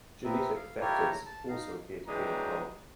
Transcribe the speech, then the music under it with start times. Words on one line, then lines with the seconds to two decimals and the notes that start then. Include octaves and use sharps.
Genetic factors also appear to be involved.
0.24 B3 C4 A#4 E5
0.56 F5
0.81 E4 F4 G4 A4 A#4 C#5
1.10 A#5
1.26 A5
1.48 D#4 F5
2.07 E3 F#3 G#3 D4 G5 A#5